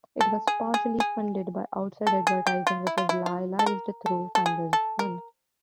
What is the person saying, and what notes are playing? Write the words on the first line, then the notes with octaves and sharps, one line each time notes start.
It was partially funded by outside advertising, which was liaised through Flinders One.
A4
G#4
G#4
G#4
A4
G#4
G4
F4
E4
F4
E4
F4
A4
A#4
A4
A4
G#4
A4
A#4